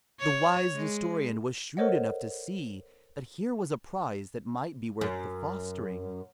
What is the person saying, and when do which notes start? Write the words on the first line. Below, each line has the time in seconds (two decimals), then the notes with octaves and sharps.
The wise Nestorian was shrewd enough to see that here was a prize that might be worth the fostering.
0.20 C#5
0.75 G#3
1.77 A4 A#4 C5 C#5 D#5 F#5
5.01 F#2